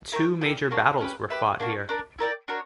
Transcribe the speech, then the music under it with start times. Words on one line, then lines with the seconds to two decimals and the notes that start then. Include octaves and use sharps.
Two major battles were fought here.
0.12 E4 A#4 C#5 G5
0.41 E4 G4 A#4
0.71 A#3 D4 F#4 C#5
1.01 C#4 G4 B4
1.30 G4 B4 E5
1.60 A#3 D4 F#4
1.89 D4 A#4 D5
2.19 E4 A#4 D5 G5
2.48 D4 F#4 A#4 C#5